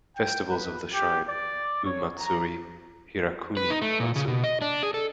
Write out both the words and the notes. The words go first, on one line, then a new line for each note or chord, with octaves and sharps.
Festivals of the shrine: U-matsuri, Hirakuni-matsuri.
G5
B4
G4
D5
C#5
A#5
B4
D#4
A3
A#2
C#3
B2
D#5
D4
G#4
A4